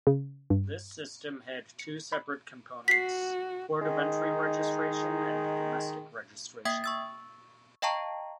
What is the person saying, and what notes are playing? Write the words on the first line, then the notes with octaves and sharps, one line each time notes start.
This system had two separate components: port-of-entry registration and domestic registration.
C#3
G2
C#7
B5
F#4 B6 C7
D#3 G#3 D#4
A#3 E5 G5 D#6 G#6 B6
C#6 E6 A6
D#5 F5 G5 A5 A#5 C#6